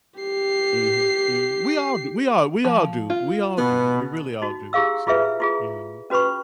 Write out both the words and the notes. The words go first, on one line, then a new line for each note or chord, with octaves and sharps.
Mhm, mhm. We all do. We all we all do. We all do. We really all do, so, you know.
G4 C7
F3
F4
B2 B3
D#4 F#4
E4 G4 G#4 F5 E6
E4 F4 G#4 B4 E5
E4 F4 G#4
C#4 F#4 B4 B5 C#6